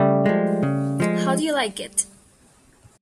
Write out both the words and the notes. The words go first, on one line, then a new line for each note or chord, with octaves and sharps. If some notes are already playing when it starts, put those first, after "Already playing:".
How do you like it?
Already playing: C#3 G3 A3
F3 G#3
C#3
F3 G#3